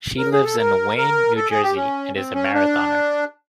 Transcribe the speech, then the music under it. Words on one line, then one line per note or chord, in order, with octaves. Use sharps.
She lives in Wayne, New Jersey, and is a marathoner.
A#4
G#4
A4
A#4
A#4
A4
G#4
G4
C#4
C4
C#4
D4